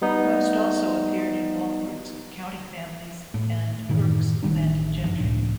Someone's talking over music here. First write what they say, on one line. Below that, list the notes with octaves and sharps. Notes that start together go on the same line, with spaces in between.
Most also appeared in Walford's "County Families" and Burke's "Landed Gentry".
G3 B3 D#4
A2
F#2 A2 D#3 E3
A1 D#3 G3 D4
F1 G2 F3
C#2 A2 D4